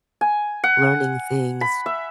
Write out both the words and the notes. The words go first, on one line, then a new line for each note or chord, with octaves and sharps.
learning things.
G#5
F#5
B5
E5